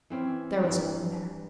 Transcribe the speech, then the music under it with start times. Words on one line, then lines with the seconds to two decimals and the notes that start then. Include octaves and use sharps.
There was no one there.
0.10 E3 C4 C#4
0.63 G2 E3 A#4